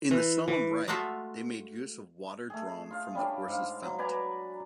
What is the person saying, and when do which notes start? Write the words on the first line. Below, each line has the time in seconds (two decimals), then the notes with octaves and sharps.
In the solemn rite they made use of water drawn from the Horse's Fount.
0.11 E3
0.48 E3
0.88 G#3 A3 F4 F#4 E5
2.50 A3 G#4
2.91 F4 F5
3.15 G3 C#4 D4
3.48 G#2 F5
3.83 F#3
3.98 B4 D5 G#5 A#5